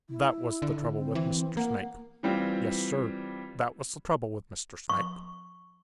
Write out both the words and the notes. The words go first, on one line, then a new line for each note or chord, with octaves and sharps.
That was the trouble with Mr. Snake. Yes, Sir, that was the trouble with Mr. Snake.
E4
D3
C4
E3
A#3 F#5
E3 G3 C4 F4
C#6